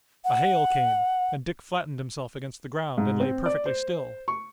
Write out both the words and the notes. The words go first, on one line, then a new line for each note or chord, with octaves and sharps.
A hail came, and Dick flattened himself against the ground and lay perfectly still.
F#5
G#2
C4
D5
C5
C#6